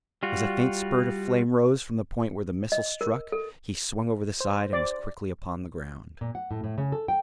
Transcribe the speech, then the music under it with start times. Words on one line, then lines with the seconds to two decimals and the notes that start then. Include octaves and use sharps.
As a faint spurt of flame rose from the point where the missile struck he swung over the side and was quickly upon the ground.
0.23 G3 F4 F#4
2.72 D#5
3.01 A#4
3.32 A4
4.40 C5
4.73 D5
6.21 A#2
6.35 F#5
6.51 A2
6.64 A2
6.78 C#3
6.92 A4
7.08 G5